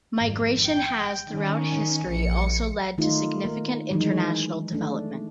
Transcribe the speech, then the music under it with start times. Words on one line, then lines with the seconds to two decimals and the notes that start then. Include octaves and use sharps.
Migration has throughout history also led to significant international development.
0.19 G#1 F2
0.66 G5
1.30 D#3 C#4
2.07 A#1 C#7
2.98 D#3 A3 D#4 F4
3.43 A#3 A#4
3.91 D#3 E3 F#3 G#3 D#4
4.72 A3 D4